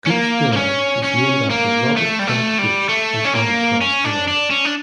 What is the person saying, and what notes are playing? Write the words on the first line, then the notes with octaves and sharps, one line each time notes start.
Gooch Dillard is named after Robert Kent Gooch and Hardy Cross Dillard.
C#4
A#3
A#3
C#4
C#4
A#3
A3
G3
A3
G3
A3
C#4
A#3
C#4
D4
D4
C#4
D4